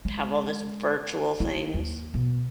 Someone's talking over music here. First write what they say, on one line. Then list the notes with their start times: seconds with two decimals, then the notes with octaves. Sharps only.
have all this virtual things.
0.05 G#3
1.40 E4
1.74 D#2
2.14 B2